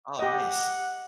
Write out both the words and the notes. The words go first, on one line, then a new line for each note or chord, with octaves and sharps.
Oh, nice.
G4 D#5 F#5